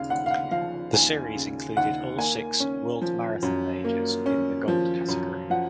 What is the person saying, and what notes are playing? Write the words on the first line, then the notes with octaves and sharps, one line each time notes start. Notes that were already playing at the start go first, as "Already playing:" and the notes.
The series included all six World Marathon Majors in the Gold category.
Already playing: D#2 C#3 F5
D#2 F#5
F5
F#5
F3 F5
D#2 G#5
C#3
D#2 F#5
A#3 G#5
C#4
F3
F#2
A#3
C#4
F3
F#2
F3 F#5